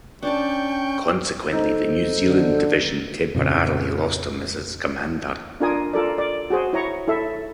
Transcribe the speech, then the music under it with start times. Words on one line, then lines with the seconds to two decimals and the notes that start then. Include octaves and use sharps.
Consequently, the New Zealand Division temporarily lost him as its commander.
0.23 C#4 D4 D5 G5 A5 C#6 G6
1.52 D#4 A4 C5
2.26 D3
3.34 F2 A#2 C#3
5.60 D4 F4 A#4 G#5 D#6
5.93 F4 A4 A#4 D5
6.18 D5
6.50 F#4 G#4 C5
6.73 E4 C#5 A#5 C#6
7.08 E4 A4 E5